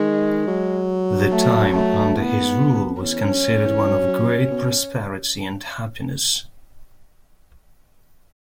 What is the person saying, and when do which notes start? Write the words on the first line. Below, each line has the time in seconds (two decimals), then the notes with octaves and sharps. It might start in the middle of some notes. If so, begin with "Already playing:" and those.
The time under his rule was considered one of great prosperity and happiness.
Already playing: D#3 G#3
0.48 F#3
1.32 A3
1.74 A3
2.16 A2 B3
2.39 G#2
2.60 F#2
2.80 F#2
3.02 E2 C#4
3.23 F#2
3.66 E3
3.87 F#3
4.08 F#3
4.51 B2